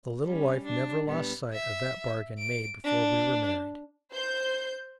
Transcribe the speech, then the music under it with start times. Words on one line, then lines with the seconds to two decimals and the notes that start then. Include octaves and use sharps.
The little wife never lost sight of that bargain made before we were married.
0.24 G3 C#4
0.65 D4
1.04 A#2 G3 B3
1.53 E5
2.38 D7
2.84 D4
4.13 C5 G6